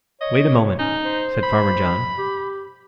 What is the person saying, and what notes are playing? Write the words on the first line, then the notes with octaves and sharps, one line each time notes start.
"Wait a moment," said Farmer John.
C#5 D#5
C#4 D#4
C5
B5
G4